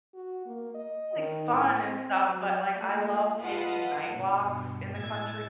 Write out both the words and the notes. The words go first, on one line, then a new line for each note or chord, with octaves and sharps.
like, fun and stuff, but, like, I love taking night walks in the country
F#4
A#3
D#5
D#3
A2
C4
F#3
A3 A#3 F4
F4 B4 D#5 F5 F#5 A5
G2 B2
A2 E6 G#6 A6